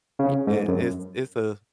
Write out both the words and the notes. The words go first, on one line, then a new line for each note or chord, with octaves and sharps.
m it it's it's a
C#3
G#2
F#2